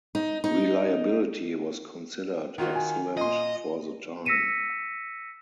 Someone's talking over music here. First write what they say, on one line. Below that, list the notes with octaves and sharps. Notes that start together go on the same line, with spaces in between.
Reliability was considered excellent for the time.
D#4
D#4
D#3 F4 F#4
G#5
A#2 D#5 C6
E6 A#6 B6 C#7 D#7 E7